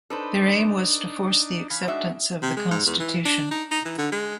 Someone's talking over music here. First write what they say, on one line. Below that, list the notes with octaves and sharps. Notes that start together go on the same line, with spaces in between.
Their aim was to force the acceptance of the constitution.
D4 D#4 A4 B4 C5
E3 F5 G#5 B5
G#3 D4 D#4 F#4 E5
C3
G#3
G#2
E2
E3
D4
D#4
D#4
E3
D3
G#3